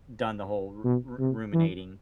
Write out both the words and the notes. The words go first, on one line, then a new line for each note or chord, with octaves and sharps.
done the whole ru ru ruminating.
B2
C3
E3